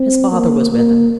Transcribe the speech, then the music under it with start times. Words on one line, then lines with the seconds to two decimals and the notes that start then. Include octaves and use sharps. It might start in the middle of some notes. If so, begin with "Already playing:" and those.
His father was with him.
Already playing: C4
0.32 A#3
0.72 A#3